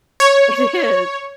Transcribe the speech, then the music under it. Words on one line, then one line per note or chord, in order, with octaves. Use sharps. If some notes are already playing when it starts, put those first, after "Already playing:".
It is.
C#5